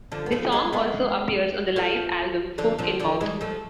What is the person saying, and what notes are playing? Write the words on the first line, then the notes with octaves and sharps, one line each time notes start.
The song also appears on the live album "Foot in Mouth".
D3 F3
B3
F3 A3
G#3 B3
G#3 B3
F3 A3
D3 F3
D3 F3
D3 F3
E3 G#3
F3 A3